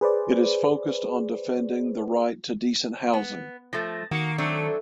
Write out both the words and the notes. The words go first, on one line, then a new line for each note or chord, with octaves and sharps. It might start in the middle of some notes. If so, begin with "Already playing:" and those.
It is focused on defending the right to decent housing.
G#4 B4 C5 D5
B3
F3 A3 A6 A#6
D#3 A#3 F#4 C#7
F#3 A3 C4 D4